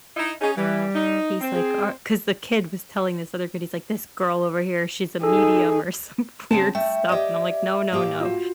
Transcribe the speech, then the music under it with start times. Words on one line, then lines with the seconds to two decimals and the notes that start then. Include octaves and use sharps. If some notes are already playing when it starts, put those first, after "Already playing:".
H he's like "Or" 'cause the kid was telling this other kid, he's like, "This girl over here, she's a medium," or some weird stuff, and I'm like, "No, no, no,"
0.17 D#4 E4
0.41 C#4 D#4 G#4
0.56 E3 G3
0.95 D#4
1.41 C4
1.55 G#4
5.23 D#4 G#4 A4
6.51 C#3 C4 A5
6.75 A3 E5 G5
7.09 G4 D5 D#5
7.92 A2 A#3 G4
8.21 F4 F#4